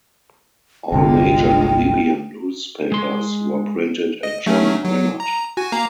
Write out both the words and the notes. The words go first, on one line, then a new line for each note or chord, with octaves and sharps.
All major Namibian newspapers were printed at John Meinert.
G1 C2 D3 G#3 F4 G5
G#3 C6
D#5
F#3 A3 C#4
F#3
A#5
F#4 G#5
A#3 F5 A#5